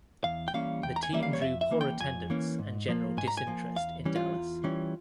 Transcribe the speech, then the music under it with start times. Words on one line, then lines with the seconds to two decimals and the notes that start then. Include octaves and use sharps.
The team drew poor attendance and general disinterest in Dallas.
0.24 E2 F5
0.48 G5
0.54 E3 G3 A#3 C#4 F5
0.83 E2 G5
0.96 A#5
1.03 G#5
1.12 E3 G3 A#3 C#4 E5
1.23 F5
1.33 C#5
1.42 F2 E5
1.61 E5
1.71 E3 A#3 C#4
1.81 G5
2.00 F2 G#5
2.30 E3 A#3 C#4
2.59 G#2
2.88 F3 A#3
3.17 G#2 G#5
3.28 A#5
3.37 G#5
3.47 F3 A#3
3.76 E2 F5
4.05 E3 G3 C#4
4.15 F4
4.35 E2
4.64 E3 G3 C#4